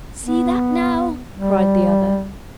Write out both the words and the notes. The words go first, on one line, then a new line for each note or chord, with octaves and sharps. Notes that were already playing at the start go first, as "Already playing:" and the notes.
'See that now!' cried the other.
B3
G3